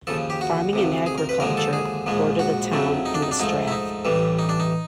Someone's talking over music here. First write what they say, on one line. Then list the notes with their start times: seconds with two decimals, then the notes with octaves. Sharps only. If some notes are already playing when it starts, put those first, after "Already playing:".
Farming and agriculture border the town in the strath.
0.07 D#2 C#3 F3 A4
0.30 G4
0.41 F#4
0.73 D2 C3 F3
1.06 G#4
1.18 A#4
1.29 B4
1.40 D#2 D3 F3 G#3 A#4
1.57 A4
1.73 G#4
2.06 A#1 G#2 F3 G#3
2.39 F#4
2.72 F2 C#3 F#3 A3
3.06 D#4
3.14 D4
3.23 D#4
3.31 D4
3.40 G#2 F3 A3 D#4
3.68 E4
3.72 D#4
4.05 A1 A2 E3 G3
4.39 D#4
4.49 D4
4.60 D#4